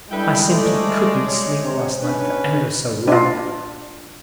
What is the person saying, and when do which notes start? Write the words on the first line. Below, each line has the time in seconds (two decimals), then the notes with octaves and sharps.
I simply couldn't sleep last night for ever so long.
0.11 G3 G#3 D4 E4 A4 B4 G5
0.48 A3 C5 D5
1.26 C#5
1.62 C3
2.02 G#2 B2 C#4 D4 B4
3.08 D4 F4